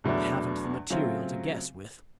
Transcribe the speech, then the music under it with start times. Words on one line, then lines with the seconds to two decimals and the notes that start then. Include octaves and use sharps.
I haven't the material to guess with.
0.04 E2 B2 F#3 A3 D4
0.90 C#3 F#3 A3 C4 F4